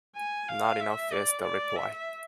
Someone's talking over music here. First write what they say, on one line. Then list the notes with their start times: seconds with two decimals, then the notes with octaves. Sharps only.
Not enough, is the reply.
0.16 G#5
0.48 F5
0.80 E5
1.12 D5
1.44 D5
1.76 E5